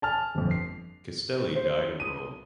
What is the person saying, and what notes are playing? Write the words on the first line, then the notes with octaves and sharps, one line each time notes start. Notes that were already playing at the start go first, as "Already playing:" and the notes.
Castelli died in Rome.
G#5 A5 F6
G1 F2
C7
C5
D#6 D#7